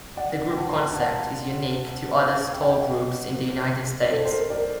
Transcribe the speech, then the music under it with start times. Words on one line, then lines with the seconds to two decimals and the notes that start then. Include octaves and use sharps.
The group concept is unique to other store groups in the United States.
0.17 D5 F#5
0.49 G5
0.57 F#5 A5
0.69 C6
0.76 G5 A#5
0.89 G5
0.95 F#5 A5
2.53 G5
2.63 F#5
2.71 D#5 G5
4.03 D5
4.11 A4 C5
4.25 C5
4.31 A#4
4.50 A#4 D5